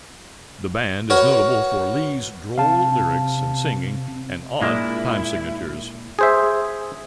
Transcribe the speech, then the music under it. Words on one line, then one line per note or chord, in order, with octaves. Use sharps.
The band is notable for Lee's droll lyrics and singing and odd time signatures.
F#4 A#4 B4 C#5 F#5
C3 F5 A5
A#2 G#3 A#3 D4 E4
G#4 C5 E5